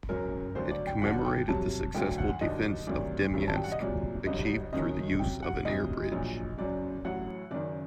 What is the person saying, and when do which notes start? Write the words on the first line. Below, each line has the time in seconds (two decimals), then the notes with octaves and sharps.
It commemorated the successful defence of Demyansk, achieved through the use of an airbridge.
0.09 F#1 F#2 F#3 A#4
0.55 D2 D3 F#3 C5
0.71 D5
0.87 G5
1.02 D#2 D3 F#3 F#5
1.25 G5
1.48 C2 C3 F#3 A5
1.95 D2 D3 F#3 G5
2.18 F#5
2.41 D#2 D3 F#3 D#5
2.87 D2 C3 D#3 F#3 D5
3.34 A1 G2 D#3 F#3
3.47 A5
3.56 G5
3.64 F#5
3.72 D#5
3.80 C2 A#2 F#3 D5
4.26 G1 G2 D3 F#3 D#5
4.73 F#1 F#2 D#3 F#3 D#5
5.19 C2 C3 F#3 G5
5.43 F#5
5.65 D2 C3 F#3 D#5
6.12 A#1 A#2 F#3
6.58 F#1 F#2 F#3 D5
7.05 A1 A2 F#3 F#5
7.51 F#1 F#2 D#3 D5